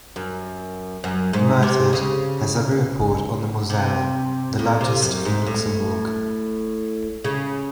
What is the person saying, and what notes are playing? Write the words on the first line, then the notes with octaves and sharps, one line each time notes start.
Mertert has a river port on the Moselle, the largest in Luxembourg.
F#2
F#2
G#2
C3
C#3
C3
A2
C3
F#2
G#2
A2
C#3